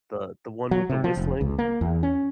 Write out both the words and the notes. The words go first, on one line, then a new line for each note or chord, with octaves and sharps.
The the one with the whistling?
F#3
C3
F3
F1
C#2
A#3
E2
C#4